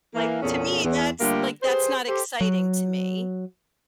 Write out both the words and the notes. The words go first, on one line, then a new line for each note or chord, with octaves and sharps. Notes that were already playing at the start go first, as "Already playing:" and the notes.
Like to me, that's, like that's not exciting to me.
E3 A#3
E2 A#2 B3 C#4 G#4 A4
E2
D3 G3 A3 A#3 F4 G4
G4 G#4 B4 C5
G4 A4 C5
F#3